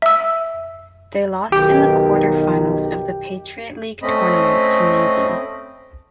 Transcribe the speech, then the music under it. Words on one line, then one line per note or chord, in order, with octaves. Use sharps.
They lost in the quarterfinals of the Patriot League Tournament to Navy.
E5 E6
B1 D#3 G4
A3 C4 C#4 D#5 B5